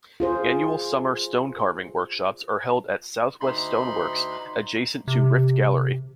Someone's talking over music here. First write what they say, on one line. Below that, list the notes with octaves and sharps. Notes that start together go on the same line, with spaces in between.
Annual summer stonecarving workshops are held at Southwest Stoneworks adjacent to Rift Gallery.
F4 G#4 C5
D2 D#4 B5 C6
C3